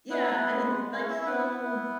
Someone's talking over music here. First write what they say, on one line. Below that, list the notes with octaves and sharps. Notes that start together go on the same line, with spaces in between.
Yeah, I mean, like, he'll
B3 E4 B4
E4
G#3
G#3
C#4 C#5
E4
E4 E5
E4
B3 B4
E4
E4